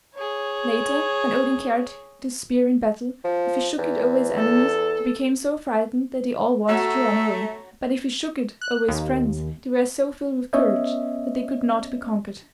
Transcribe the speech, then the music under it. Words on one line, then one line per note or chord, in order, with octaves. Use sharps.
Later, when Odin carried this spear in battle, if he shook it over his enemies they became so frightened that they all wanted to run away, but if he shook it over his friends they were so filled with courage that they could not be conquered.
G#4 C#5
F3
E2
A4
A3 F#4 C#5 A#5 E6
F#6
D#2
B3 C#4 C#5 D#5 E5